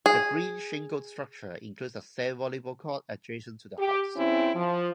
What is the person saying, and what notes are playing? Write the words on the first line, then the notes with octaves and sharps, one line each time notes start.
The green-shingled structure includes a sand volleyball court adjacent to the house.
G#4
G4
E2 C4 C#4 E4
F3